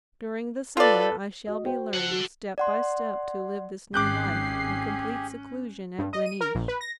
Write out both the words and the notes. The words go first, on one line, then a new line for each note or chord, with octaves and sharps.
During the summer I shall be learning step by step to live this new life, in complete seclusion at Gleneesh.
F4 A4 B4 D5
F#4 D#5
F#4 C5 G5
A4 F#5
F#4
D5 F#5 C6
G#1 C#4 G4 G#4 D6 F#6 G6 C7
G2
D#5
D#7
A#4
A#1
B4
A#6